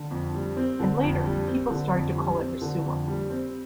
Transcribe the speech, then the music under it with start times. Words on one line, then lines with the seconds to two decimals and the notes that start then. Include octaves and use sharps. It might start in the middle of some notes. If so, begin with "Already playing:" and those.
And later people started to call it Rasuwa.
Already playing: D3
0.11 F2
0.34 G3
0.57 C4
0.80 D3
1.02 F2
1.25 G3
1.48 C4
1.71 D3
1.94 F2
2.16 G3
2.39 C4
2.62 D3
2.84 F2
3.07 G3
3.30 C4